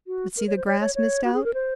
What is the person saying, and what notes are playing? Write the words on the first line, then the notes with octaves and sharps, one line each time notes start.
But see the grass missed out!
F#4
A#4
C#5
C5
C#5
C#5
C#5
F#4
G#4
A#4
C5